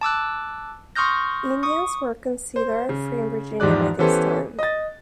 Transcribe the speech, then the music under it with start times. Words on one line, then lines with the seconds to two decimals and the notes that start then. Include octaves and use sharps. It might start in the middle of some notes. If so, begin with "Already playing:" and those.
Indians were considered free in Virginia by this time.
0.01 A5 D6 E6 F#6
0.96 C6 C#6 D#6 F6 G6 A#6
1.63 C#6 D#6
2.56 C5
2.89 C#3
3.60 E2 G#2 F3 G4 D5 F#6
3.99 E3 B3 C#4 G4 A4 C5
4.59 D#5 A6